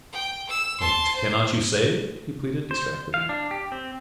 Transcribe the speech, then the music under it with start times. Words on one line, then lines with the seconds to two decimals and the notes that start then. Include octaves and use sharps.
"But cannot you say?" he pleaded, distractedly.
0.12 G5
0.49 E6
0.80 A5 C6
1.15 C5
2.71 C5
3.14 F5
3.29 D4
3.51 G4
3.72 C4